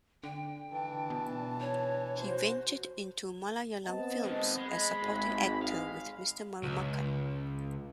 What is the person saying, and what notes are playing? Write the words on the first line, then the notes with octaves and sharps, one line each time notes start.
He ventured into Malayalam films as supporting actor with Mr Marumakan.
D3 G5
E3 D4 A5
B2
C#5
F#4 C5
B3 C4 D#5 A5
D#3 G#3
G#3 B5
G#1
G#3 F5
C#2